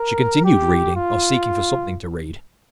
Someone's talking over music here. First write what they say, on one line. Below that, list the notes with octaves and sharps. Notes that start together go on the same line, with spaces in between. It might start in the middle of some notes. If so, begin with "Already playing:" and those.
She continued reading, or seeking for something to read.
Already playing: A#4
G4
F4